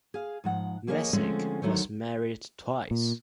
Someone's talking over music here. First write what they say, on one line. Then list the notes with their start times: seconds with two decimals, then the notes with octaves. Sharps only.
Messick was married twice.
0.14 G#4 F5
0.44 G#2 F3 F#5
0.87 F3 A#3 G#4 B4 C#5 D#5
1.13 D3 F3 G#3 A3 C4 C#4
1.62 D2 D#3 F#3 A3 C5 C#5
2.91 A#2